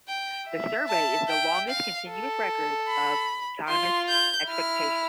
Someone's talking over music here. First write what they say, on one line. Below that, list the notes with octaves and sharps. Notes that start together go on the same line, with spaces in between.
The survey is the longest continuous record of economists expectations.
G5
E5
A5
G5
F5
A4
B5
F4 C6
G6
E4 F6